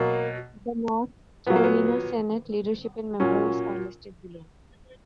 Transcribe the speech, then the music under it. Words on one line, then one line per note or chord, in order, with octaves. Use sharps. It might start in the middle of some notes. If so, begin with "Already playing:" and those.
The North Carolina Senate leadership and members are listed below.
Already playing: B2 F#3 A#3
A#2 F#3 B3
A#3
B3
A#2 F#3 C#4